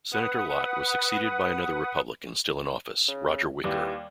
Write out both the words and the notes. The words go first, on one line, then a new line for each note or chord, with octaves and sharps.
Senator Lott was succeeded by another Republican still in office, Roger Wicker.
B4 F#5 D#6
C#3
D#2 E3 G3 G4